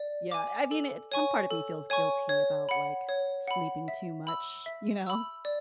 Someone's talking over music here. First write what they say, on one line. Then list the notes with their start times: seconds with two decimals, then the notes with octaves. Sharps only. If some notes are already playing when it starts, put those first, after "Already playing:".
yeah, I mean, it some part of me feels guilty about, like, sleeping too much, you know?
Already playing: D5
0.31 G#5 D6
0.71 A4
1.12 C#5 G#5 C#6
1.51 A4
1.90 C#5 G#5 C#6
2.29 C#5
2.69 F#5 B5
3.09 C#5
3.48 F#5 B5
3.88 E5
4.27 B5 E6
4.66 E5
5.06 B5 E6
5.45 D5